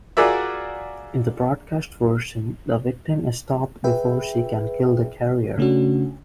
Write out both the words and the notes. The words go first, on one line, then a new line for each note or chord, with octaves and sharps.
In the broadcast version, the victim is stopped before she can kill the carrier.
F4 F#4 G#4 A#4 D5 E5
G#4 B4 E5 G5
C#3 A3 C#4 D4 F#4